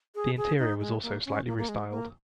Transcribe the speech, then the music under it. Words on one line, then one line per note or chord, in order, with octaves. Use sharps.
The interior was also slightly restyled.
G#4
G#4
D#4
G#3
A#3
C#4
A#3
A#3
G#3
A#3